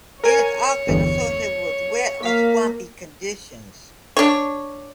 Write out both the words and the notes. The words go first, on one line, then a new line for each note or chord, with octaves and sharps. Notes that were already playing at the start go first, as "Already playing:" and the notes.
It is often associated with wet or swampy conditions.
A#4 C#5 G#5
G1 E2
A#3 F5 B6
D4 C#5